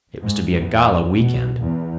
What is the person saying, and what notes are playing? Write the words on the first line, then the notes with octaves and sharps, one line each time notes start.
It was to be a gala weekend.
G#2
E2
B2
E2